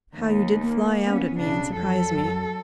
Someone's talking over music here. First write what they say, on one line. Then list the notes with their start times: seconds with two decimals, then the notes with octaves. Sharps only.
How you did fly out at me and surprise me.
0.17 D#2
0.64 A#3
1.04 B3 C#4
1.39 B1 C#3 D4
1.75 F2 F#3 A4
2.17 F#2